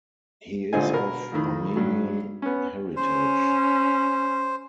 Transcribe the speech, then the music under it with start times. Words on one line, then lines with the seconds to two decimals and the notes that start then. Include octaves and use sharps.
He is of Armenian heritage.
0.73 G#1 A#2 D3 C5 D#5 G#5
0.93 B2 A#4
1.32 F2 A2 D#3
1.76 G2 F#3
2.42 B3 C#4
2.96 C#4 C5